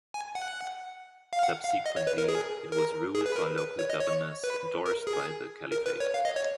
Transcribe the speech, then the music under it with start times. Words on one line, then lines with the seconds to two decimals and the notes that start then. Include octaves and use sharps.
Subsequently, it was ruled by local governors endorsed by the Caliphate.
0.14 G#5
0.35 F#5
1.33 F5
1.43 F#5
1.64 F5
1.86 D#5
1.96 C#5
2.07 B4
2.18 A#4
2.28 G#4
2.72 A#4
3.15 G#4
3.26 B4
3.36 A#4
3.58 B4
3.79 C#5
3.90 D#5
4.00 C#5
4.44 B4
4.86 A#4
5.07 G#4
5.72 A#4
5.86 B4
6.00 C#5
6.14 F5
6.25 D#5
6.36 C#5